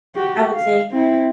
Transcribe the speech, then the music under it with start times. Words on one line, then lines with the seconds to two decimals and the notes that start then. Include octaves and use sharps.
I would say
0.16 F#4 G4
0.54 F5
0.92 C4 E4